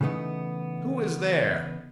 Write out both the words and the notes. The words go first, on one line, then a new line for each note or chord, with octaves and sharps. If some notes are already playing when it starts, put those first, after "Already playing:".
Who is there?
C#3 E3 A3 B3 D#4